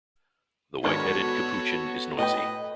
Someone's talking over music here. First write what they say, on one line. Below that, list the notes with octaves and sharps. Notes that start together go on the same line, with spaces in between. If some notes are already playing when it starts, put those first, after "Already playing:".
The white-headed capuchin is noisy.
G#2 D#3 B3 D4 F#4 A4 C#5
A2 B4 D#5 G5